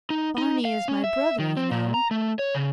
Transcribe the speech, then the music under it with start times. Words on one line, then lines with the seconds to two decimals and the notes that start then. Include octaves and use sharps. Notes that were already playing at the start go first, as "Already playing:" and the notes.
"Barney is my brother, you know."
0.10 D#4
0.38 D#4
0.65 F5
0.88 C#4
1.04 E5
1.39 D#3
1.57 C4
1.71 A#2
1.94 A#5
2.11 A3
2.39 C#5
2.55 C#3